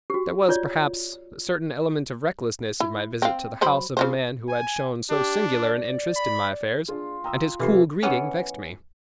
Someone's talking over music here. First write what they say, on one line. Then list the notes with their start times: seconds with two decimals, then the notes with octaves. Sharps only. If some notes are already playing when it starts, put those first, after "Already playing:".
There was, perhaps, a certain element of recklessness in my visit to the house of a man who had shown so singular an interest in my affairs, and his cool greeting vexed me.
0.10 F#4 G4
0.49 F4 C#5 D5
2.80 E4
3.22 C4 F5
3.61 F#3 C5 B5
3.97 C#3 F4 C5
4.48 G#5
5.10 D4 G4
5.65 D5
6.16 B5
6.88 D4 F4 G#4
7.24 G5 A#5 D#6 E6
7.59 C3 E3 F4 G4 A4 C7
8.03 E3 B3 C#4